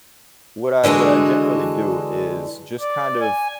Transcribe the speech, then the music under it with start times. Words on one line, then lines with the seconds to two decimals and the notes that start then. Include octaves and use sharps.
what I what I generally do is just kind of,
0.83 D3 E3 G#3 D4 F#4
2.80 D5
3.20 G#5